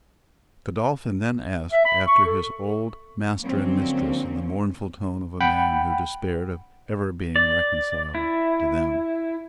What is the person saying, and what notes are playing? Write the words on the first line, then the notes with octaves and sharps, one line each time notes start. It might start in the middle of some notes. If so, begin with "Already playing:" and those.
Godolphin then asked after his old master and mistress in the mournful tone of a man who despaired of ever being reconciled to them.
E5
B5
C#6
A4
D3 F3 F#3 A#3 C4 C#4
F#5 G5 B5
D5
E4